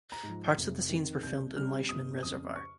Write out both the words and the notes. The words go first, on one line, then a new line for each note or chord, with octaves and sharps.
Parts of the scenes were filmed in Lishimen Reservoir.
A#5
G#2
F3
F1
F2 D#3
C2 G6
C3 G3 C#4 F6
G1 D#6
F2 C#3 D#6
C#6